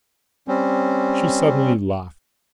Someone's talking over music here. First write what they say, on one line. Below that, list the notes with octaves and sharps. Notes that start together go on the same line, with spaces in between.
She suddenly laughed.
G3 C4 C#4